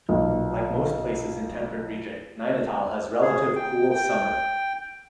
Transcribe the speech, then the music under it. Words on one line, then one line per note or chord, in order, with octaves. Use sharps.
Like most places in temperate region, Nainital has relative cool summer.
B1 A#2
G#4
G5
G5